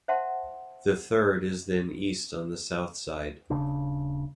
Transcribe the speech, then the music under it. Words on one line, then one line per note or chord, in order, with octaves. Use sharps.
The third is then east on the south side.
C5 E5 F#5 A5 C6
D#1 B1 C#3 D4